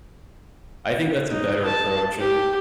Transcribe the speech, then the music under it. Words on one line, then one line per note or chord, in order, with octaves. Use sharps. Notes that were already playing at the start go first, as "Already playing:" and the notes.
I think that's a better approach, and
D#4
A5
G4